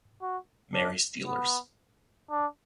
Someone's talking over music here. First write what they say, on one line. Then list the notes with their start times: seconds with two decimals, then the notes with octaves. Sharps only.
Marie Steelers.
0.22 F#4
0.74 D4
1.26 B3
2.31 D4